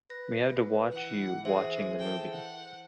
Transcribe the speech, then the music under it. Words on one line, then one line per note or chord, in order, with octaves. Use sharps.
We have to watch "you" watching the movie.
B4 A#6
B4
E3 F#5
G#4 C5 E5
A4 G5
F#5